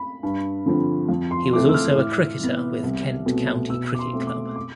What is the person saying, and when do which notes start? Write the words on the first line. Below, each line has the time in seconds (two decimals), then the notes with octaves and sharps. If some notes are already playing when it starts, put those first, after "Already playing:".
He was also a cricketer with Kent County Cricket Club.
Already playing: B5
0.23 G2
0.66 D3 F3 C4
1.09 F2
1.31 C6
1.52 C3 E3 A3 C4 D6
1.69 E6
1.74 F6
1.96 A2
2.40 E3 B3
2.83 C2
3.26 B2 A3 C4
3.69 B2 E6
3.95 D6
3.99 C6
4.13 A3 C4
4.27 D6
4.56 D6